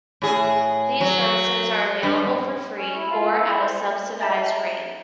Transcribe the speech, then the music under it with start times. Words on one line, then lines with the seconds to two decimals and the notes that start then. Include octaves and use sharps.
These services are available for free or at a subsidised rate.
0.22 A2 G#4
1.01 F#3
2.03 G2
2.77 C#4
2.95 E4
3.11 F4
3.31 A4
3.46 E4
3.60 C5
4.21 D#5 E5 A5 A#5 A6